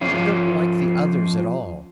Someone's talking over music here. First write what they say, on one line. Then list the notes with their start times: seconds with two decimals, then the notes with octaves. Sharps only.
I don't like the others at all.
0.01 F3 C#4 F4